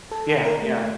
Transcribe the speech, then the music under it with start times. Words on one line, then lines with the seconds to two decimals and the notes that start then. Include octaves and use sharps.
Yeah, yeah.
0.11 A4
0.45 A#4
0.62 A3